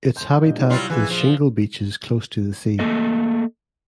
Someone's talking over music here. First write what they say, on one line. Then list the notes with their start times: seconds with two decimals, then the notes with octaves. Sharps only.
Its habitat is "shingle beaches close to the sea".
0.17 C6 G6
0.42 G2 A#2 D#5
0.58 G#3 D#4 D5
0.70 C2 F#3 G3 F4
0.90 A#1 E3 G#4
1.10 F3
2.79 A3 A#3 A4 D#5